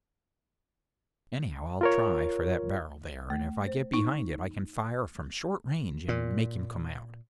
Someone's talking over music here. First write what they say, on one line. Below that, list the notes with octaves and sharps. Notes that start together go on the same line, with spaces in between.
Anyhow I'll try for that barrel there; and if I get behind it I can fire from short range and make him come out.'
F4 A#4 C#5
A3
C5
D#4
A#2